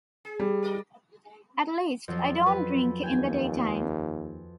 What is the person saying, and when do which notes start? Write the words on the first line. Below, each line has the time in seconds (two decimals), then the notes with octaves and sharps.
At least I don't drink in the daytime.
0.25 G#4
0.39 G3
0.63 A#4 D5 D#5
2.08 F2 F#3
2.46 B4
3.03 D#2 G5 G#5